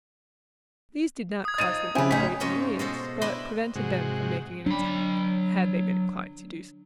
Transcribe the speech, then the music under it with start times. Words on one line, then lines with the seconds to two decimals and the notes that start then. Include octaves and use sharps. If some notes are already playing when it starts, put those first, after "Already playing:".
These did not cause them any great annoyance but prevented them from making an attack, had they been inclined to do so.
1.45 D#6 G#6
1.58 F3 D#4 A6 D#7
1.95 C#3 C4 E4 G4 B4 G#5
2.11 A1 C#4 D#4 G#5 B6
2.40 G#2 G#3 C#4 F4 G4
2.79 B2 G#3 A4 C5
3.21 D4 E4 G4 D#5 B5 C6
3.75 G#2 C3 G#3 F#4
4.66 F#3 D4 B5